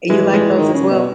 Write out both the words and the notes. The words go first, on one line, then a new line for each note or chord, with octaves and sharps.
You like those as well?
E3 G#3
G#3
D#3
C#3
B2